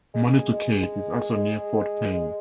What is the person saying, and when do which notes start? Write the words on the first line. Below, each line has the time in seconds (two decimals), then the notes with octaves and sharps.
Manitou Cave is also near Fort Payne.
0.14 G#3
0.53 G#3
1.34 G#3
2.13 G#3